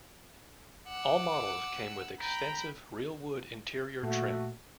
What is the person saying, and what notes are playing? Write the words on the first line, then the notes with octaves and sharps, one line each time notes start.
All models came with extensive, real wood interior trim.
F#5 D6 E6
G5 A#5 B5
A#2 A3 F#4